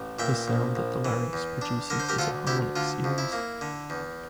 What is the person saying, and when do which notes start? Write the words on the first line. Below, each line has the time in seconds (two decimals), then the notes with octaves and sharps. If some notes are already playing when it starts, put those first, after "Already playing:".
The sound that the larynx produces is a harmonic series.
Already playing: A1
0.19 A#2 E5 G5
0.48 A#1
0.76 A#1
1.05 E3
1.33 E2
1.62 D4
1.90 D3 A#4
2.00 C5
2.09 G4 A#4
2.18 D2 F4 A4
2.47 D2 E4 G4
2.76 D3 F4
3.04 F2
3.18 E4
3.32 A#3
3.61 D3
3.90 E2